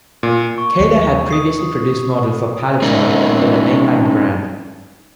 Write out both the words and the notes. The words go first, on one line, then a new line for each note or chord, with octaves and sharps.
Kader had previously produced models for Palitoy under the 'Mainline' brand.
A#2
C#6
D#2
D#6 C7
G#3 C#4 D#4 E4 A#4